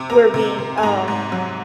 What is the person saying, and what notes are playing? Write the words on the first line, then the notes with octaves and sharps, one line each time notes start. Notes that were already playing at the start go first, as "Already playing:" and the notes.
we're being, um,
Already playing: C3
A#3 A#5
C3
C3
G#5
G#2 A#5
G#2
F#3